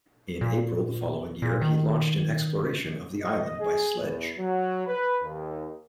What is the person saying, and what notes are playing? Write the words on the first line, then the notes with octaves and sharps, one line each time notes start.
In April the following year, he launched an exploration of the island by sledge.
A#2
A#2
D#3
D#5
G#4
E2
F#3
B4
D#2